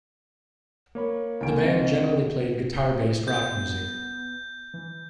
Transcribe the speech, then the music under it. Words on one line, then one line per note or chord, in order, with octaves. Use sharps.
The band generally played guitar-based rock music.
A#3 C#5 B5
C#2 D#3 A#3 A4 G#5 D7
C4 D#5
B3 G6
E3